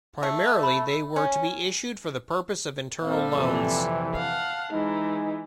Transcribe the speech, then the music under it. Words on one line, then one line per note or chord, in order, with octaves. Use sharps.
Primarily they were to be issued for the purpose of internal loans.
A3
B5 E6
C#4
A#2 G3 C4 A4 F5
F2 C3 E3
F5 F#5 A5
E3 G#3 D#4